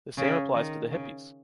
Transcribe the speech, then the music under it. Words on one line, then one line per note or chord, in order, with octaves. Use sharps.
The same applies to the hippies.
C#3
D#3
C#3